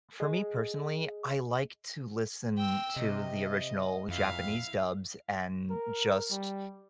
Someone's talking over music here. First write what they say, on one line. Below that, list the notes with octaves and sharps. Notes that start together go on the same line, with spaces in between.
for me, personally, I like to listen to the original Japanese dubs and just
G#4 D#5
G5 E6
C3 D#5
F2 E4 F5
A#4
G3